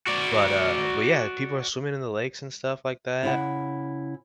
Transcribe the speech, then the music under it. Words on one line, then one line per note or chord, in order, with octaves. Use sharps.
but, uh but yeah, people are swimming in the lakes and stuff like that.
F#4 D5
C#3 E4 F#5